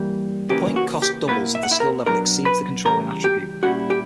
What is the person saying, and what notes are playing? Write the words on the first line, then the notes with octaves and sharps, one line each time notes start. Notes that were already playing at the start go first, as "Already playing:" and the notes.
The point cost doubles if the Skill level exceeds the controlling Attribute.
Already playing: G2 E3 G3 A#3
C#3 E3 A#3 C#4 G4
F#4
G4
B2 A#3 B3 E4 B4
E5
F#5
E4 E5
A#4 A#5
B2 F#3 B3 D4 A#4 A#5
B4 B5
E2 C#3 E3 G3 A#4 A#5
G4 G5
A#2 G3 A#3 C#4 E4 F#4 F#5
G4 G5